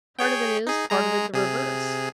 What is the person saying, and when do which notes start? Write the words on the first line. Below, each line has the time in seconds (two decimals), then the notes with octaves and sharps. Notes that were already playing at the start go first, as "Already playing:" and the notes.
"Part of it is, part of it the reverse."
0.19 G#4 C#5 G5
0.67 D#4 G#4
0.90 G#3 G#4 A#5
1.33 C3 G#4